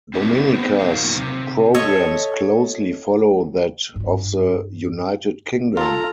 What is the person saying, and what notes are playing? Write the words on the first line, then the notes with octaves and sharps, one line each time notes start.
Dominica's programs closely follow that of the United Kingdom.
C4 D4 E4 F#4 G4 A#4
B3 C5
A#2 D#3 F#3 A#3 A#4 F5
C3
A4 C#5 D#5 E5
G2 F4
F4 A4 A#5